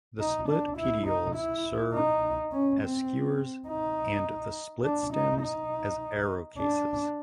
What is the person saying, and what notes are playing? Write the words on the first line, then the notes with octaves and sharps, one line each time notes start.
The split petioles serve as skewers and the split stems as arrow cases.
D#4
D4
E4
D#4
E4
D#4
C#4
C4
D#4
D4
D#4
D#4
D4